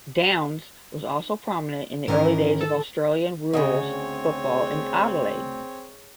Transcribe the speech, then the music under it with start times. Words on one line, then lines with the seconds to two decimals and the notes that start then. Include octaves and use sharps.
Downs was also prominent in the early days of Australian rules football in Adelaide.
2.08 G#2 D#3 E3 C#4 A#4
2.61 A4
3.53 D2 A2 C#3 G#4 C#5 D#5
3.91 C4